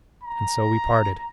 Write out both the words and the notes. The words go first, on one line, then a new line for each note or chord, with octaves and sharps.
And so we parted.
A#5